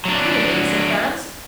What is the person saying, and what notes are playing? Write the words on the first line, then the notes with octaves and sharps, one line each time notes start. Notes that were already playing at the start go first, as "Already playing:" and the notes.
"Really?" said Franz.
F#3 D4